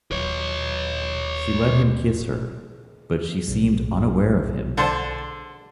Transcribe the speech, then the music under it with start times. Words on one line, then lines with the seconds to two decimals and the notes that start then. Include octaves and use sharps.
She let him kiss her, but she seemed unaware of him.
0.11 D#1 F#3 B4 C#5
3.48 B1
4.77 D3 C5 A5